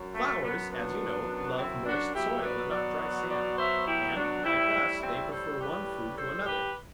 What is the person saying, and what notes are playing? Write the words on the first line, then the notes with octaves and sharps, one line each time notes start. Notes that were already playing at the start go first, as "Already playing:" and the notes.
Flowers, as you know, love moist soil, and not dry sand; and, like us, they prefer one food to another.
Already playing: F#2 F#3
A3
B3
B3 D4
C4 E4
D4 F#4
B2 F#3 E4 G4
B4 D5
D5 F#5
D5 F#5
D5 F#5
C5 E5
E4 G4
D4 F#4
A2 G3 C4 E4
C4 E4
A4 C5
G4 B4
A4 C5
G4 B4